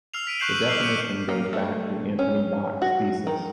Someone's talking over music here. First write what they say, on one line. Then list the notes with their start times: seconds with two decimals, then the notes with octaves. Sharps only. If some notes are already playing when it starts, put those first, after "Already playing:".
The definition goes back to Anthony Bak's thesis.
0.14 E6 F6 C7 F7
0.27 B6 D7 D#7
0.39 C#6 F#6 G6 C7 E7 F#7
0.54 D#7
0.67 D6 E6 F6 C7 D#7 F7
0.83 G6 C#7 D#7
1.29 A#3
1.53 A3
2.19 C#4
2.82 F#4
3.27 D#3